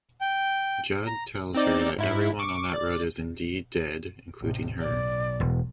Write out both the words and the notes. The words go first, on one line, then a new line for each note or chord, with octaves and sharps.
Jud tells her that everyone on that road is indeed dead-including her.
G5
A#5
C4 D#4 D5
G#2 E4
C#6 D6
D5
A1 C3
B1 D5
E1